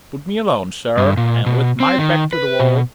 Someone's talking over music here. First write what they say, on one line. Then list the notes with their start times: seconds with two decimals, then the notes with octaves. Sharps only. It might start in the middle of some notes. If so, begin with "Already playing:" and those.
Put me alone, sir, and with my back to the wall.
0.98 G2
1.17 A#2
1.46 B2
1.80 C4
1.99 D#3
2.33 B4
2.60 B2